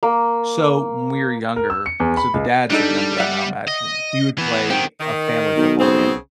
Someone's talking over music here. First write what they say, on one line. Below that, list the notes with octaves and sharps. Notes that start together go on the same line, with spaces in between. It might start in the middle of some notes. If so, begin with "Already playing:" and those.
So when we were younger so the dads are younger now, imagine, we would play a family football game
A#3
A#4
E6
C#7
E2
B5
C#2
G3 D4 D#4 A4
D5 E5 F#5
D#5
E3 B3
D#3 C4 G4 C5 F#5
D#3
B1
C#3 B3 C4